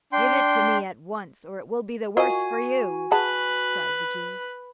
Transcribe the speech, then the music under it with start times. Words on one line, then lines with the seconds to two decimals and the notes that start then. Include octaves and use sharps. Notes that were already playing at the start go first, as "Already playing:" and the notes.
Give it to me at once, or it will be the worse for you!' cried the Jew.
0.13 D4 G5 C6
2.17 F4 F#4 A#4 D#5 G#5
3.11 G#4 B4 F#5 A5